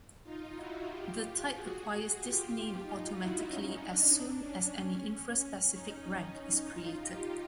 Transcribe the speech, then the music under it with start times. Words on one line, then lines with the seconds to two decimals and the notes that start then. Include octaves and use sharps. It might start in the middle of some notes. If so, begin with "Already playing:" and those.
The type acquires this name automatically as soon as any infraspecific rank is created.
0.24 D#4 F4
0.55 E4 F#4
0.88 F4 G4
1.52 F#4 G#4
2.16 F4 G4
2.49 F4 G4
2.81 D#4 F4
3.13 E4 F#4
3.45 C#4 D#4
3.77 D4
4.10 D4
4.42 C#4
5.40 C#4
5.71 C#4 D#4
6.36 C#4 D#4
6.67 D#4 F4
7.00 F4 G4